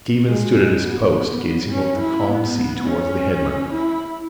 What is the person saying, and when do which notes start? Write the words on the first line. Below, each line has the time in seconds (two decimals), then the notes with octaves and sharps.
Stephen stood at his post, gazing over the calm sea towards the headland.
0.25 G#3
0.82 B3
1.69 C#4
1.98 E4
2.27 B3
2.55 B3
2.84 C#4
3.71 E4